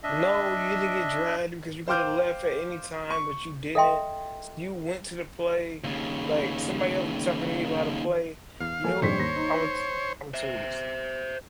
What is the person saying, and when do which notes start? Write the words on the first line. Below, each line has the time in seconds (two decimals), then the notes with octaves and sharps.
No, you didn't get dragged because you could've left at any time, but you didn't, s you went to the play, like, somebody else was talking to me about a play, you know, I want Imma tell you this,
0.03 D4 D#5 E5
1.88 C5 F5 G5 D6 F6 G6
3.10 C#6
3.75 A4 D#5 E5 G5 C6
5.84 D#2 C#3
8.60 E2 F5
8.84 F3 G#3 A#3 A4 G#5
9.02 A#1 F2 G#2 G3 C5 C#5 B6
9.20 D#2 A#6
9.36 D#4
10.34 C5 E5